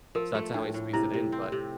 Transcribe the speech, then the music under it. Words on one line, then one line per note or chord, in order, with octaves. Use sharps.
so, that's how I squeeze it in, but
F3 A#4
A3
A2 D4
A2
C3 E4
C3
C4
C3